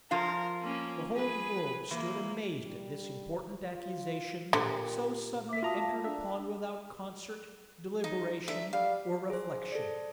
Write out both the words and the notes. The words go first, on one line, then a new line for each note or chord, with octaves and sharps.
The whole world stood amazed at this important accusation, so suddenly entered upon without concert, deliberation, or reflection.
F3 F4 A#4 F5
A#3 C#4
G#4 B4
E3 A#3
G3
F4
A#2 D3 A#3 G4 F#5
E5 D6 B6
F4 F#4 A5 A#5 D#6
E5 F5 A5
D4 E5
D#4
D3 E5
G3 F5
G#4 C5
A4 D5